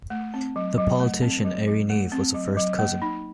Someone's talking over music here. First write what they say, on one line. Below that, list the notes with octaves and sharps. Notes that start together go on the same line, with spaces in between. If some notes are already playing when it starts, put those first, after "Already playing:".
The politician Airey Neave was a first cousin.
A3
C4
F#3
F#3
A3
C4
F#3
F#3
A3
C4
F#3
F#3
A#3
D#4